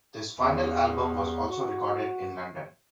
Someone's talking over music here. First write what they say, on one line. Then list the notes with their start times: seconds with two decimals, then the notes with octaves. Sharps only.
This final album was also recorded in London.
0.39 E2
1.48 F#4